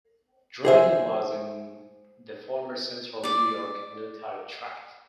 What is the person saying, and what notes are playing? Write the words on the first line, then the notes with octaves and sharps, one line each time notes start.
Dryden was in the former Central New York Military Tract.
G#4 C5 E5
D5 D6